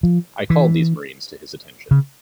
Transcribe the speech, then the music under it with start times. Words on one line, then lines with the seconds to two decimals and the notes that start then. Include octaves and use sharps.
I called these Marines to his attention.
0.03 F3
0.50 E3
1.91 C#3